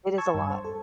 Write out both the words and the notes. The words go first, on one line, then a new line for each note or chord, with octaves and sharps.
It is a lot.
A5 C#6 E6 G#6
G2
C5
A4